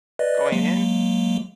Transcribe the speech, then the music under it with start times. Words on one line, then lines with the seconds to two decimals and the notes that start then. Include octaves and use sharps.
Going in?
0.19 B4 D5 D#5
0.52 F#3 G#3 A#3